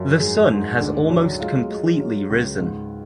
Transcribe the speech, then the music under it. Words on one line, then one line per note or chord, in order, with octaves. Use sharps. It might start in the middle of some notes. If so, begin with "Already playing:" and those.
The sun has almost completely risen.
Already playing: F#2 F3
G#2 G#4
G#2
D2 D4
F#3
G#3 F4
G#3
F#3
C#2
G#2